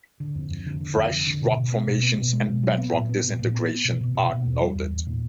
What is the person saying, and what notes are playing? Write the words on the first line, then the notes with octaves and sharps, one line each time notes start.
Fresh rock formations and bedrock disintegration are noted.
D3
F2
F2
D3
D3
F2
D3
D3
B2
B2
B3
B2
B3
B2
G#3
B2
F#3
B3
A#2
B3
A#2
A#2
B3
B3
B2
B2
B2
B2
E2
G3
E2
E2
A#2